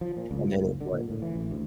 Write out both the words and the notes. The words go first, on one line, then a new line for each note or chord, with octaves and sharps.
and then it was
F3
A#2
C#2
G#2
F#1
D3
A#2
A2
E3
A1
D2